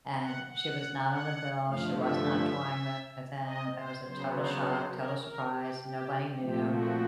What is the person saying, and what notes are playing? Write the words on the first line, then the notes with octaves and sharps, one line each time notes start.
And she was not on the bill, she was not touring with him, it was a total shock, total surprise, nobody knew.
F#5
F#5
F#5
G2 D3 F3 A3 F5
E5
D#5
C5
C#3 F#3 B3 C5
C5
C5
A#4
A#4
G4
G4
A#2 F3 A3 C4 G4
F#4